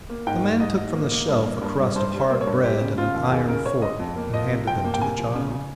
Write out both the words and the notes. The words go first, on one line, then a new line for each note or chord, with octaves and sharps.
The man took from the shelf a crust of hard bread and an iron fork, and handed them to the child.
A#3
G#2 G5
G3
G#2 D#5
G#2
A#3
A#3
G2
A#3
G2
G3
G2 C5
G3
C5
A#3
C#5
G2
G#3 G4
C#3
C#3 F4
D#2
D#2 G#4
C#3 A#4
C#3 C#5
G#3 D#5
F2
A#3
F3 D#5
C3
F3 G5
A#3
G5
C3 G#5
F3
C#3
C#3